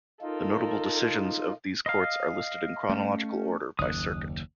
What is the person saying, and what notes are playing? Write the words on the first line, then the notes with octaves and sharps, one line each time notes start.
The notable decisions of these courts are listed in chronological order by circuit.
D#4 F4 A4 A#4
D#5 F5
A3 C#4
F#1 D#2 D#6 F#6